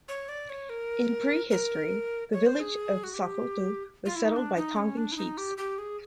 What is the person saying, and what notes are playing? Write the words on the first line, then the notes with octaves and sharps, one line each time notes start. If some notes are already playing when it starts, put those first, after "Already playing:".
In pre-history, the village of Safotu was settled by Tongan chiefs.
C#5
D5
C#5
A#4
A#4
C#5
C5
G#4
F#4
G4
F4
E4
D#4
D4
D#4
C#4
D4
E4
D#4
G4
G4
G#4